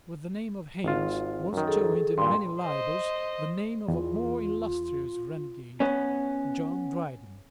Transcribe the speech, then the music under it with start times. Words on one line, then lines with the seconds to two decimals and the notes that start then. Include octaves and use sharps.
With the name of Haines was joined, in many libels the name of a more illustrious renegade, John Dryden.
0.84 G#1 F4
1.53 F#2 D#3
1.67 G#4 A4
2.18 G2 A#2 C6
2.60 C5 D#5
3.88 E2 F4
5.80 B3 C#4